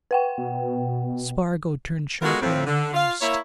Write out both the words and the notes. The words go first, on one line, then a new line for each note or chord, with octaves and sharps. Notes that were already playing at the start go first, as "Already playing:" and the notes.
Spargo turned sharply on Myerst.
B4 F#5 G5
B2
G#3 B3 F4 F#4 A4 A#4
F2 A2 C4
D3
F4 F5
A#3 E4 C#5